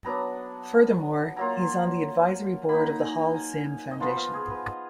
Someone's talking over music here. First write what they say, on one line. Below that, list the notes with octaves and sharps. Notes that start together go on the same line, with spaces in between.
Furthermore, he is on the Advisory Board of the Holcim Foundation.
F#3 B3 D4 A#5
F#3 A#3 F4 A#5
A#3 D#4 B5
A#5
G#5
A#5
G#5
D#5
F3 B3 F4 F5
F5
G#4
B4
D#5